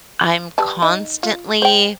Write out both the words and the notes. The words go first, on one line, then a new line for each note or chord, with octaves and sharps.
I'm constantly
G3 B4 A5
D#4
F4
C5 G5